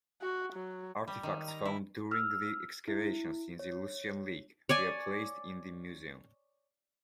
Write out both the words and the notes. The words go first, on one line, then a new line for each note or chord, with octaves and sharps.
Artifacts found during the excavations in the Lycian League were placed in the museum.
F#4
F#3
G3
D#3
A#5
E4
E6 F6
E4
C#5
C#5 D5 G#5